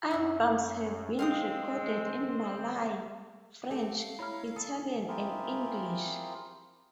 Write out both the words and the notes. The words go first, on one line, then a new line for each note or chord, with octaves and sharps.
Albums have been recorded in Malay, French, Italian and English.
F#2 E5 F#5
G#3 C4 C5 F5 G5 D#6
A3 C4 G4 A4
F5
E4 C#5 A#5 B5 F6
A4 D#6
C4 E4 F4 G4 G#4 A#4